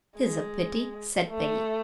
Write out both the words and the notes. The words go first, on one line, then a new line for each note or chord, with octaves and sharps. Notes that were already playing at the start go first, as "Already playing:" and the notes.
"It is a pity," said Peggy.
G#3
A3